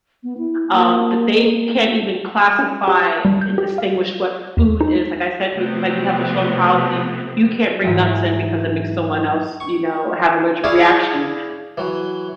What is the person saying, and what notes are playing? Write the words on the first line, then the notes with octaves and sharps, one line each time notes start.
um, but they can't even classify and distinguish what food is like I said to i like we have a strong policy, you can't bring nuts in because it makes someone else, you know, have allergic reaction.
B3
E4
A#3
C#4
G4
G3
G6
G4
F5
E2
D#4
C3 F3 A3 B3 C4
G#2 E3 F#3 G#3
C#6
E4 G#4 C#5 D5 E5 F5
E3 F#3